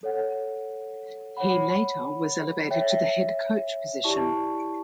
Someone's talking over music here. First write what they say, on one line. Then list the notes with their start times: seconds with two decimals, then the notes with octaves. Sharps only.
He later was elevated to the head coach position.
0.03 A4 C#5 F#5
1.37 C#5 F#5 B5
2.71 C#5 E5 G5
4.04 E4 G4 D5 A5 C#6